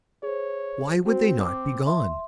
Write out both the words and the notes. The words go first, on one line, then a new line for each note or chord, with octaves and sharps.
Why would they not be gone?
G#4 C5 C#5
C4 F#4 C5
D6
E5 C6